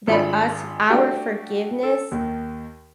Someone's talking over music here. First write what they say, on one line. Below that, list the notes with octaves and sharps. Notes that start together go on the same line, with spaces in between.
that us our forgiveness
G#1 G#3 D4 F4 D5 B5
A3 D4 F#4 G4
A4
D#2 D#3